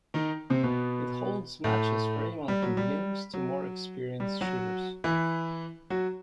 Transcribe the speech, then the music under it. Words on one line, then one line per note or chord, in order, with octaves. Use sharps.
It holds matches for anyone from beginners to more experienced shooters.
D#3 D#4
C3 C4
B2 B3
A2 A3
G3
F#3
G3
F#3
G3
F#3 F#4
E3 E4
F#3 F#4